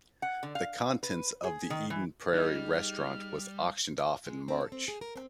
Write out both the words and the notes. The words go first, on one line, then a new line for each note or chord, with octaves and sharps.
The contents of the Eden Prairie restaurant was auctioned off in March.
F#5
D3
F5
B4
G#4
D#3
E3
G3 D#4 G#4 D#5 F6
G#3
C4
A4
C4
G#4
A#4
C4